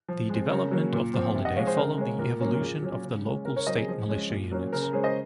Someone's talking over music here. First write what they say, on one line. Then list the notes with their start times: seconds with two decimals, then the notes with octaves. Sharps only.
The development of the holiday followed the evolution of the local state militia units.
0.08 F3
0.29 G#3 C4
0.50 C#3 A#4 C#5
0.71 F#3 A#3 C#4
0.93 A#2
1.14 F3 C4
1.35 C3
1.45 D#5 F#5
1.56 F3 C#5 F5
1.59 G#3
1.66 G#4 C5
1.77 C#3 A#4
1.98 G#3 C#4
2.19 A#2 A#4
2.40 F#3 A#3 C#4
2.53 A#4
2.61 A#2 G#4
2.83 F#3 C#4
3.03 C#3
3.25 G#3 C#4
3.45 C#3 A#4
3.56 A#4 C#5
3.67 F#3 C5 D#5
3.71 C4
3.77 G#4
3.89 F3 G#4
4.09 G#3 C#4
4.30 A#2
4.52 F#3 A#3 C#4
4.73 C#3 A#4
4.83 A#4
4.93 G#3 C#4 G#4 C5
5.03 C5 D#5